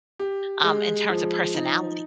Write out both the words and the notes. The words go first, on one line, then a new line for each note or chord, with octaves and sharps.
um, in terms of personality.
G4
G#3
F3
D#4